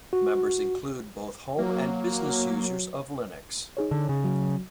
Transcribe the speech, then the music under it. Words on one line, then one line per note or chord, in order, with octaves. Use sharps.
Members include both home and business users of Linux.
F#4
F#3 A#3
D#4 G#4 C#5
D3
C#3
F#3